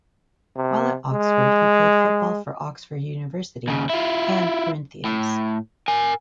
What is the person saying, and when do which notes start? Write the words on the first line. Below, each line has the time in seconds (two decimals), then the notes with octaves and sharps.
While at Oxford he played football for Oxford University and Corinthians.
0.56 C3
1.12 G#3
3.68 D#2 C#3
3.90 E4 F4
5.05 A2
5.88 A#4 G#5